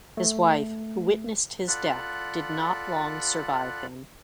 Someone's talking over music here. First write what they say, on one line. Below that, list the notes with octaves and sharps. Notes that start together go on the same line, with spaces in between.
His wife, who witnessed his death, did not long survive him.
A3
F4 A4 D5 F#5 B5 F#6